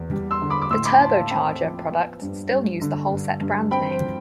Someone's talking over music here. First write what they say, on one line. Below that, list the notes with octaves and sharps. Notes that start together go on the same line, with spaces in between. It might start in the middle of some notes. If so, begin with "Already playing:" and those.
The turbocharger products still use the Holset brand name.
Already playing: E2 B3
G3
C6 E6
D3
B5 D6
D6
A2 C6 E6
B5 D6
A2 A5 C6
F5 A5
C4 G5 B5
F3
B3
G2
G3
D3
G2
G2
C4 G5 B5
C5
F3